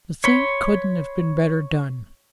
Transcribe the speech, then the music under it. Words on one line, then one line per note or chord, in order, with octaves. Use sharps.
The thing couldn't have been better done.
C#5 B5 C6